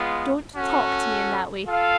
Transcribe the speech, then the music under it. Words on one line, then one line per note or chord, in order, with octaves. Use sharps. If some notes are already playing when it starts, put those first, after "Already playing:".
Don't talk to me in that way.
Already playing: G#3 B3 F4
C#4 F#4 A4
F4 A4 F5